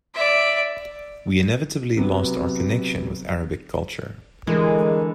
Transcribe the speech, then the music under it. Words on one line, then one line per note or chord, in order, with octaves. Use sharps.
We inevitably lost our connection with Arabic culture.
D5 E5
C3 F#3 B3
D3 E3 G#3 A#4